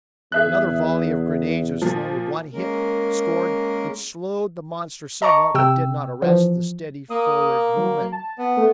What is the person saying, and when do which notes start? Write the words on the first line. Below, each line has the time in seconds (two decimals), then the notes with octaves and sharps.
Another volley of grenades was thrown and one hit scored, which slowed the monster somewhat but did not arrest the steady forward movement.
0.32 E2 G#4 E5 F#6
1.82 A#2 F3
2.52 G#3 A#3 C#4 A#4
5.22 D#5 A5 A#5 C#6 D6
5.55 C3 G5 E6
6.22 E3 F3
7.10 A#3 D#6
7.77 F#3
8.12 A5
8.38 B3
8.57 A3